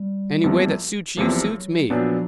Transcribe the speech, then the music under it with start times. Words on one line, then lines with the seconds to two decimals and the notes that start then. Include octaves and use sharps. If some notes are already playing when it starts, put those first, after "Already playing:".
Any way that suits you suits me.
Already playing: G3
0.44 E2 C3 F3 A#3
1.17 E2 C3 F3 F#3 A#3
1.54 F#3
1.90 A#2 F3 F#3 B3 D4